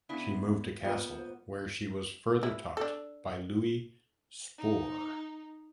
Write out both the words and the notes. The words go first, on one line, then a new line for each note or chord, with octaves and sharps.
She moved to Kassel where she was further taught by Louis Spohr.
C#3 B3 D4 E4
A#3 B3 F4 B4 C5
E4
D4 A4
D#4